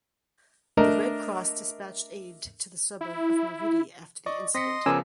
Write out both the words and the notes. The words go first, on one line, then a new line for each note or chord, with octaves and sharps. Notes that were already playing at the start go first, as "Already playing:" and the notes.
The Red Cross dispatched aid to the suburb of Maridi after the incident.
A3 D4 A#4 D#5
E4
D5 D#5 C#6
C4 D#5 C6 D#6 A#6 B6 C#7
C#3 F3 B3 C#4 A#4 G#5 D6 E6